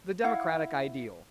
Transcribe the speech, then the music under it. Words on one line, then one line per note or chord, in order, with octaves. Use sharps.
The Democratic Ideal.
E4 F5 F#5